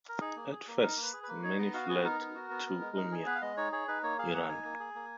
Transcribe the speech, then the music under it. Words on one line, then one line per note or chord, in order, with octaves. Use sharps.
At first, many fled to Urmia, Iran.
A#4
D#4 G#4
A#3
G#4
A#3
D#4 A#4
A#3
B4
G#4
B4
A#3
D#4 C#5
B3 D#5
F#4 F5
B3 G#4
D#4 A#4
B3
F#4
B3
B3
G#3
D#4
G#4
B3 B4
F5
G#3 D#5
D#4 C#5
G#4 C#5
D#4 B4
A#3 C#5
G#4 F5
A#3 F#5
D#4 G#5
A#3
G#4
A#3